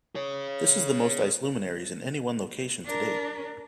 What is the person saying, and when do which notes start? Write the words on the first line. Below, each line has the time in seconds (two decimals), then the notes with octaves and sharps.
This is the most ice luminaries in any one location to date.
0.15 G#4 C#5
2.85 D4 A#4